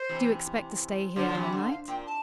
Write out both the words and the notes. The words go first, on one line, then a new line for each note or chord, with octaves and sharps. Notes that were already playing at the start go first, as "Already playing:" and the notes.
"Do you expect to stay here all night?"
Already playing: C5
C3 E3
D3 F3 C5
F3 D5
C3 E3
E5
D3
F5
A#2 G5
A5